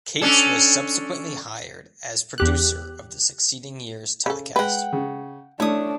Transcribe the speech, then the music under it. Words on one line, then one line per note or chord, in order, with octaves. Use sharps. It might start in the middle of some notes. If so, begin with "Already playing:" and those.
Cates was subsequently hired as producer of the succeeding year's telecast.
C#4 D4 A4
E2 G4 F#6
C#3 A4
G#3 B4 F#5 G5
C#3
A3 D4 E4 C#5 D#6